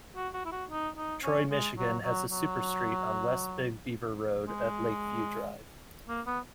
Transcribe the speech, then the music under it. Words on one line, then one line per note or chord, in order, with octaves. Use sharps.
Troy, Michigan has a superstreet on West Big Beaver Road at Lakeview Drive.
F#4
F#4
E4
F#4
D#4
D#4
C#4
G#3
F#3
F#3
F#3
G#3
A#3
B3